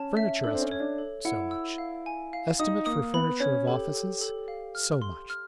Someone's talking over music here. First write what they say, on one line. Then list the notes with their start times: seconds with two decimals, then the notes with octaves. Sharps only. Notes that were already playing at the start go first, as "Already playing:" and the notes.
Furniture estimate, so much. Estimate for furniture of offices, so much.
Already playing: C#4 A5
0.17 E5
0.44 D4 A4
0.54 C4
0.62 C#4
0.71 C#5
0.80 D4
0.98 A4
1.25 E4 F#5
1.51 E6
1.78 F5
2.06 G#5
2.33 F5
2.59 D#4 D#6
2.86 A#3 D#6
3.14 B3 B5
3.40 C#4 C#5
3.67 G4 A4
3.94 A4
4.21 A4
4.48 F5
4.75 F6
5.02 C6
5.30 F6